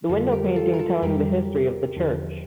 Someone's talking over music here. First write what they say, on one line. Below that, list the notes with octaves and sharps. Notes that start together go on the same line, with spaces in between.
The window painting telling the history of the church.
F2 D3 G3 F4 A4
G4 A#4
F4 A4
A#4
F4 A4
F2 D3 G3 G4 A#4
E2 D3 F3